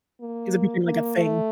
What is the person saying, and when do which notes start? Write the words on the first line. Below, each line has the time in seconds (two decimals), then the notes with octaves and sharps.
'Cause it became like a thing.
0.20 A#3
0.84 A#3
1.16 A3